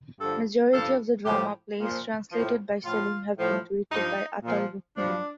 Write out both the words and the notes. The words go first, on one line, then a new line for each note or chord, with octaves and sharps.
Majority of the drama plays translated by Selim have been directed by Ataur Rahman.
G2 D3 F3 A4
G2 F3 A4
A2 F3 G4
A#2 F3
A2 F3
A2 F3 F4
A2 F3
G2 F3 D#4
A#2 F3
G2 F3 D4